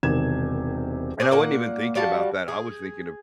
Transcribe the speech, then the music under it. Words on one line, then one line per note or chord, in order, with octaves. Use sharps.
and I wasn't even thinking about that. I was thinking of
E1 C3 D#3 A#4 G#6 E7
C4 D4 G#4
A#2 A#3 F#5
G3 F#4 F5 A5
G#4